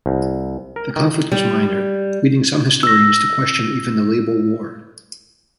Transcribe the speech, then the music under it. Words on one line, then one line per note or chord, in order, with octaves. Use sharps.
The conflict was minor, leading some historians to question even the label war.
C2
A#4
D#3
G3
E6 A#6